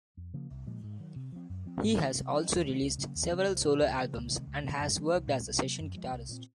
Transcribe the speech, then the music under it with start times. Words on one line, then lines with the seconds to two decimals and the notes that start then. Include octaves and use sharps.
He has also released several solo albums and has worked as a session guitarist.
0.17 F2
0.33 C#3 F3 A#3
0.50 C2
0.67 A#2 F3 G#3
0.83 G#2
1.00 D#3 F#3
1.16 C3
1.32 F3 C4
1.49 F#2
1.66 F3 C4
1.83 G#2
1.99 D#3 G#3 C#4
2.15 C3
2.33 F#3 C#4
2.49 D#2
2.65 D#3 G#3
2.81 C#2
2.98 C#3 F#3 A#3
3.15 D#2
3.31 C#3 F3 C4
3.47 C2
3.64 A#2 F3
3.81 C#2
3.97 C#3 F3
4.14 C#2
4.30 C3 D#3 G#3
4.47 C#2
4.64 C3 D#3 G#3
4.80 F#2
4.97 F3 G#3 C4
5.14 C2
5.30 A#2 G#3 C#4
5.47 C2
5.63 C3 F#3 A#3
5.79 F#2
5.96 F3 G#3
6.12 C2
6.29 A#2 F3 C4